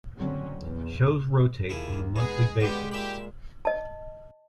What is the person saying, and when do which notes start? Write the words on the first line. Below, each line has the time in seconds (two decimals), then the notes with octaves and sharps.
Shows rotate on a monthly basis.
0.16 F#1 A2 D3 F#3 C4 C#4
0.57 A#1 E2
1.69 D#2 F3 A#3 E4 G#4
2.16 G#3 B3 D#4 G#4
2.60 D3 G#3 B3 C#4 G4
2.92 A#2 G4 E5 B5
3.65 D#5 A5